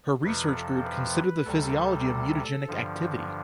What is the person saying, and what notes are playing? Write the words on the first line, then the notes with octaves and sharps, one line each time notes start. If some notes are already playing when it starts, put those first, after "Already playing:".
Her research group consider the physiology of mutagenic activity.
F2 C3 F3 B4
A4
B4
D2 C3 G3 A4
G2 D3 F3